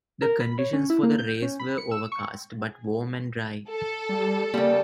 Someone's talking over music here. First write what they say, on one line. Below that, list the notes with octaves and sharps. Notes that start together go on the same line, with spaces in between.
The conditions for the race were overcast, but warm and dry.
A#4
B5
C#5
C#4
E4
A#3
G6
C#4
B5
C#7
E6
C#6
A4
G3
C#3 G3 A#3